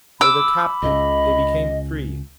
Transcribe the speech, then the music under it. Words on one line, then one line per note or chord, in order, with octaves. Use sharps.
They were captive; they became free.
B5 D6 E6
C#2 C#3 D#5